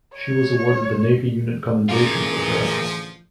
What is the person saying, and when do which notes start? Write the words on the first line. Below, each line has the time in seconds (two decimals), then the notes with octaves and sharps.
She was awarded the Navy Unit Commendation for her efforts.
0.15 C#5
1.89 A1 D3 F3 F4 G#4 A#4